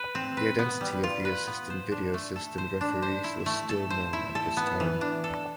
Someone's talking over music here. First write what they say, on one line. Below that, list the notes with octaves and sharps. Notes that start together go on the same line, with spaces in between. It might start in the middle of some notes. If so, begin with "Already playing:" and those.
The identity of the assistant video assistant referees was still known at this time.
Already playing: B4
C4
B4
B3
G3
F4
B4
B3
C5
D4
A3
A4
C5
D4
C5
E4
A3
A4
C5
E4
A4
B3
E3
D4
A4